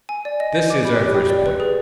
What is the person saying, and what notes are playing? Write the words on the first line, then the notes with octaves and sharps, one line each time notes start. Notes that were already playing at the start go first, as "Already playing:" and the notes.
This is our first point.
G#5
D5
D#5
G6
D6
B5
G4
G5
D5
B4
G#4